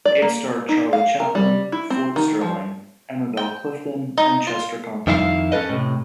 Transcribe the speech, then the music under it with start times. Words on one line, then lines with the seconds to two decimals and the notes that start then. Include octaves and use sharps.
It starred Charlie Chaplin, Ford Sterling, Emma Bell Clifton, and Chester Conklin.
0.05 D5
0.22 A#3
0.69 D#4
0.93 F5
1.20 A#4
1.35 G3
1.72 E4
1.90 C4
2.16 D#3
2.41 F3
3.37 G5
4.18 D#4
4.47 F4
5.07 F2 D#3 E4 F4 F5
5.52 C#4 D4 A4 B4 D#5
5.69 A2 C3